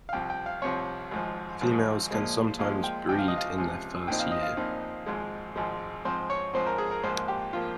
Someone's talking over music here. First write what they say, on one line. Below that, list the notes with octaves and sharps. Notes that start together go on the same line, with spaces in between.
Females can sometimes breed in their first year.
F5
C2 C3 F3 G5
G5
F5
C2 C3 F3 C#5
G#1 G#2 F3
G#1 G#2 F3
A#2 F3 G#3
A#2 F3 G#3 F5
G5
C#2 C3 F3 G5
F5
D#5
F5
C#2 C3 F3
A#1 A#2 F3 C4 D#4 G5
F5
D#5
F5
A#1 A#2 F3 C4 D#4
G#1 G#2 F3 G#3
G#1 G#2 F3 G#3
G#2 F3 C4 C5
C#5
G#2 F3 C4 C5
A#4
G#4
A#4
A#1 G#2 F3 A#3 C5
G4
F3 A#3 F4